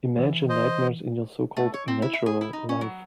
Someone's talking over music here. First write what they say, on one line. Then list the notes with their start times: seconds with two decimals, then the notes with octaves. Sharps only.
Imagine nightmares in your so called "Natural" life.
0.19 E3
0.49 C5 D#5
1.57 A3
1.74 C#5
1.88 C4
2.02 E4
2.13 E5
2.26 G#4
2.41 E4
2.53 D#4
2.69 C#4
2.81 F#3